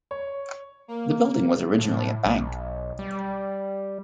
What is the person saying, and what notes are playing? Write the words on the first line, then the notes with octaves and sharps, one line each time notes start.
The building was originally a bank.
C#5
A#3
A2
B1
G3